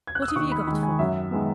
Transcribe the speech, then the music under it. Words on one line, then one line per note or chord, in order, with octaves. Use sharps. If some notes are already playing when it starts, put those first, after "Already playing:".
What have you got for me?'
G#6
F#6
E6
D#6
D#2 C#6
B5
D#3 G#3 B5
G#5
F#2 E5
D#3 G#3 B3